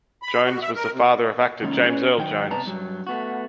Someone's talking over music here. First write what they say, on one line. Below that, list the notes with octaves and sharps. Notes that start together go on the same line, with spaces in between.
Jones was the father of actor James Earl Jones.
B5
F#4
E5
A#4
C3
E2 A#2 C#3 G#3 C#4 D#4
C#4 G#4 B4 C#5 G#5
D#3 F#3 G5
C3 B3 B4 D5 A5 A#5
G2 F#3
A3 B3 F#4